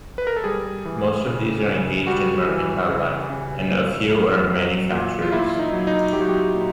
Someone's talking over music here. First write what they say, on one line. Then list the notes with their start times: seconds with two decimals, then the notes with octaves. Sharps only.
Most of these are engaged in mercantile life, and a few are manufacturers.
0.18 B4
0.27 A#4
0.36 A4
0.44 G3 G#4
0.85 E3
1.26 C#3
1.67 C#3
2.07 G3 F#4
2.48 E3
2.88 C#3
3.30 C#3
3.70 A#2
4.11 F#3
4.52 F#3
4.91 A#2
5.22 F4
5.32 A#2 E4
5.59 D#4
5.73 F#3
5.87 D#4
6.13 F#3 G4
6.21 F#4
6.29 G4
6.54 A#2